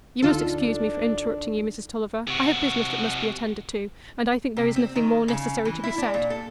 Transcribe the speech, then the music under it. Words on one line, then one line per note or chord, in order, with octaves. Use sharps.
"You must excuse me for interrupting you, Mrs. Tulliver; I have business that must be attended to; and I think there is nothing more necessary to be said."
D2 D3 D4 D#4 F4 A4
C3 F#4
C3
C4
D#3
C#3
E3
E4
D4
A#2
A4